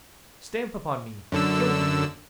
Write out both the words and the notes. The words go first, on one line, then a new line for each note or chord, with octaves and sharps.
'Stamp upon me, kill me!
F#2 D3 E6